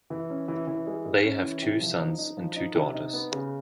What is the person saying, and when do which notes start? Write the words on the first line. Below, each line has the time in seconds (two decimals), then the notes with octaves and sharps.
They have two sons and two daughters.
0.10 E3
0.30 C#4
0.48 E3
0.67 E3
0.86 G#3
1.05 G#3
1.24 C#4
1.43 E3
1.62 C3
1.81 F3
2.00 D#4
2.19 D#4
2.37 F3
2.56 D#4
2.75 C3
2.94 D#4
3.13 B3
3.32 C#3